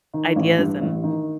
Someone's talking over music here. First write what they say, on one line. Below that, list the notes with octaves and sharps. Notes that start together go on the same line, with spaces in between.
ideas and
D#3
A1
G2
A1
D#3